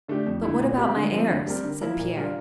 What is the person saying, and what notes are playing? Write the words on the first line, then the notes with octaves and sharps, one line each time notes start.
"But what about my heirs?" said Pierre.
D3 A3 D4 G4
F2
D3 A3 E4
A#2
A3 C4 G4 A#4
D3
F3 C4
D3
G3 C4 G4 A#4
D3
F3 A#3 E4 A#4
A#2
G3 D4 F4 A#4